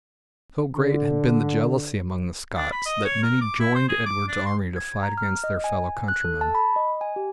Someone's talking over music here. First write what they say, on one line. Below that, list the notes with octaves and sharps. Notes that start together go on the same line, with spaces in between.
So great had been the jealousy among the Scots that many joined Edward's army to fight against their fellow countrymen.
D3
D4
B5
D#5
C#5
A#4
D6
E4
C5
G#4
D6
D4
C6
G#6
A#5
F6
D#5
G#5
F#6
A4
A5
B5
D#5
G#5
G4